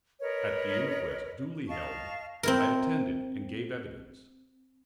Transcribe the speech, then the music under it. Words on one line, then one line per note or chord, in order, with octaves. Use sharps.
At the inquest duly held I attended and gave evidence.
A#4 B4 C#5 D#5
D#5 F5 A5 C#6
C4 E4 A#4